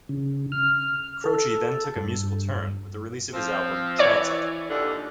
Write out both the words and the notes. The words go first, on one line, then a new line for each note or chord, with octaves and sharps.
Croce then took a musical turn with the release of his album "Transit".
C#3
F6
A4
G2
F3 C4
E3 C#5 D5 D6
D#2 A#2 D3